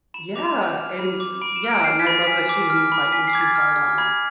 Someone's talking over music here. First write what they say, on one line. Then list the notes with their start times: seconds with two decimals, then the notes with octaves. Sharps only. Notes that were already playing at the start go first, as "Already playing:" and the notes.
Yeah, and Yeah, and I love that she didn't fight you too hard on it,
0.14 B5 E7
0.36 D6 F7
0.57 B5
0.78 F6
0.99 B5
1.20 D6
1.42 B5 D7
1.56 E7
1.64 F6
1.71 D7
1.84 F6 C7
1.99 B6
2.07 B5
2.13 A6
2.27 G#5 B6
2.49 D6
2.70 F6
2.92 B5
3.12 G#5 B6
3.27 C7
3.33 D6 G#6
3.41 A6
3.56 F6
3.76 F6
3.98 B5 G#6